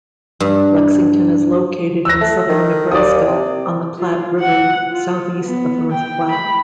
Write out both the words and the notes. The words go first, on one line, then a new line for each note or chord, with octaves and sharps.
Lexington is located in southern Nebraska, on the Platte River, southeast of North Platte.
G2
E6 F#6 A#6
A3
D#3
D#2 D5 D#6
C3
F4
F#5
F4
B3
G5
B5